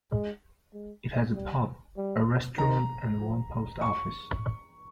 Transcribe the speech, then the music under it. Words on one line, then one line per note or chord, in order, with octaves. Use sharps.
It has a pub, a restaurant and one post office.
G#3
G#3
G3
G3
D#3 A#5
F3
C#6